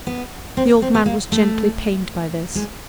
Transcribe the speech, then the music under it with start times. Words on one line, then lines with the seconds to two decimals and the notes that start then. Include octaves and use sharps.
The old man was gently pained by this.
0.07 B3
0.57 C4
0.82 C4
0.94 B3
1.06 A#3
1.32 A3
2.55 G#3